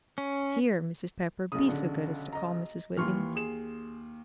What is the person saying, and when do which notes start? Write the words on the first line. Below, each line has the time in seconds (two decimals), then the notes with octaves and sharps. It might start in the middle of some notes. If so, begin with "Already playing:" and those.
"Here, Mrs. Pepper, be so good as to call Mrs. Whitney."
0.18 C#4
1.52 B1 C#3 D#6
1.68 D3
2.33 D#5 A#5
2.97 D#2 E3 C6 C#6 F6
3.36 G#4 E7